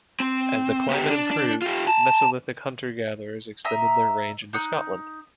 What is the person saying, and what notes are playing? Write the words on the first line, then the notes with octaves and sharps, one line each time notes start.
As the climate improved, mesolithic hunter-gatherers extended their range into Scotland.
C4
B3 G4
D4
D4
F4 G4
G#5 A5
D#5 E5 A#5 E6
D#4 F#6